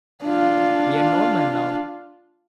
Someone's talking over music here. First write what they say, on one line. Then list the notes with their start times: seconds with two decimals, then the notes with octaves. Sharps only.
We are Norman now.
0.24 D4 F4